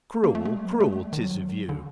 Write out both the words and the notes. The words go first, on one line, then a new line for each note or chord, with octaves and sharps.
"Cruel, cruel, 'tis of you!"
A#3
A3
A3
G3
F#3
A#3
A3
G3
D#3
F#3
D3